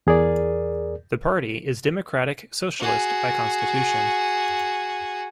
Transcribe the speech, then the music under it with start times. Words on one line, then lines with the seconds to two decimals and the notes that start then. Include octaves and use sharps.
The party is democratic socialist by constitution.
0.07 E2 G#4 A#4 D5
2.80 F#4 G#4